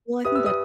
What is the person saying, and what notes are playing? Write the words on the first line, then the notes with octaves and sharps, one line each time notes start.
Well, I think that
G4 B4 E5 D#6
E6
D#6